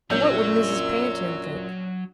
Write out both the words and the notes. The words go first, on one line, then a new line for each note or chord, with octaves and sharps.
And what would Mrs. Pantin think?
A#1 F#2 A#2 F#3 C#4 E6 G6